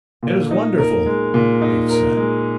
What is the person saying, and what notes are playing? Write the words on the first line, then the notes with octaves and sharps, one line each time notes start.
"It is wonderful," Leif said.
A#2
D#4
A#4
G#3
A#2
D#4
A#4
G#3